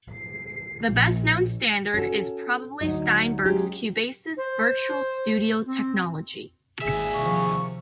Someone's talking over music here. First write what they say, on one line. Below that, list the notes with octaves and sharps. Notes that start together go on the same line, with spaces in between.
The best known standard is probably Steinberg Cubase's Virtual Studio Technology.
C7
A#1
C#4 F#4 A4
D2 C#3 F#3 D#4 D#5
F#3 G#3 C#4 G4
C5
C4
G#1 D#2 G#4 E5
C3 F3 C#6